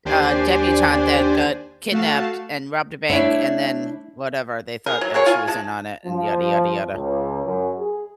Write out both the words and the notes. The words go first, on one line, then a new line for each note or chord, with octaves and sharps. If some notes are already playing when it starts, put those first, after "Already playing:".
uh, debutante that got kidnapped, and robbed a bank, and then, whatever. They thought that she was in on it, and yada, yada, yada.
D#2 D4 G4 C5 D5 G#5
A3 F#4 F5 A5
A3 D4 E4 C#5 D5 E5
G#4 A#4
F#3
F#4 G#4 A#4 C#5
F4 G#5
G#3 A5
F3
C#2
F#2
G#4